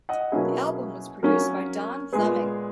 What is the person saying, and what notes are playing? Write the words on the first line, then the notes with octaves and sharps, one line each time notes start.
The album was produced by Don Fleming.
D#5 F#5
B2 F#3 A#3 C#4 E4 G#4
F#3 A#3 C#4 A#4
A#2 G#3 B3 G#4